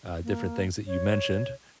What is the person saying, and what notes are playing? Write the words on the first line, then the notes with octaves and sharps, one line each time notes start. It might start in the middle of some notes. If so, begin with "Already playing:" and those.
uh, different things that you mentioned,
A#3
C#5